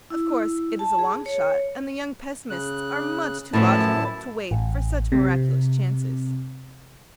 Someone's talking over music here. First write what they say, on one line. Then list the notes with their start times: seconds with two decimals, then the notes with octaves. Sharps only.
Of course, it is a long shot and the young pessimists are much too logical to wait for such miraculous chances.
0.10 E4
0.79 A5
0.99 G#4
1.26 C#5
2.50 C#3 F#6
3.53 F#2 A2 F3 B3 E4 A5
4.51 A1
5.12 C3